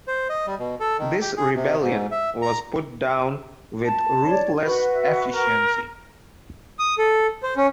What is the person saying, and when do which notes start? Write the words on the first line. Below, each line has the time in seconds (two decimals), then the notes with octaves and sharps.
This rebellion was put down with ruthless efficiency.
0.08 C5
0.30 D#5
0.47 G3
0.59 B2
0.80 A4
0.99 D#3
1.21 G4
1.37 G#4
1.56 C3
1.81 G#2
2.11 E5
2.42 A#5
3.85 A5
4.26 C#5 D5
4.64 F#4 B4 B5
4.93 E5
5.31 A#4
6.79 D#6
6.98 A4
7.43 C5
7.57 C#4